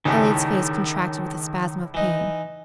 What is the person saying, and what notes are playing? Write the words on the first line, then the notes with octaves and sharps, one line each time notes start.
Elliott's face contracted with a spasm of pain.
C#2 A2 D#3 C#4 D4 G4
E3 D#4